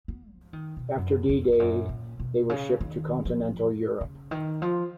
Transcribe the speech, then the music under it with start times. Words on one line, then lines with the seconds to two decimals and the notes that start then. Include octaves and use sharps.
After D-Day, they were shipped to Continental Europe.
0.08 B3
0.30 F3
0.53 D#3
0.77 B2
0.98 F#2
1.29 F2
1.48 F2
1.60 F#2
1.89 A#2
2.20 B2
2.49 C#3
2.80 D#3
3.25 F3
4.01 C#3
4.31 D#3
4.62 F3